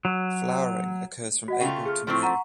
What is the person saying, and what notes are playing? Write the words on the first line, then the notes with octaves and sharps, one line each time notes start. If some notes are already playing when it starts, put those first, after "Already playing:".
Flowering occurs from April to May.
F#3
F#4 D#5 F#5
C#3 A3 F4 G5 C7 D#7
G#4 F6
F3 A3 C4 E4 C#6 F6
F#5 A#5 C#6